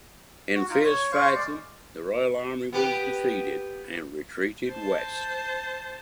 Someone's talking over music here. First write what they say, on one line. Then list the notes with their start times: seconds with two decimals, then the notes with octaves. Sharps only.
In fierce fighting, the royal army was defeated and retreated west.
0.55 F#4
0.70 D#4 F4
0.85 C#5
1.12 C5 F5 C#6
1.35 G#3 D5
2.73 B3 G4 B4
4.68 C5 A5